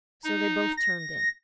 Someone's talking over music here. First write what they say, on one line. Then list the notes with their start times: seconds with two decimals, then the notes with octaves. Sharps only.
So they both turned in.
0.24 D#4
0.77 A#6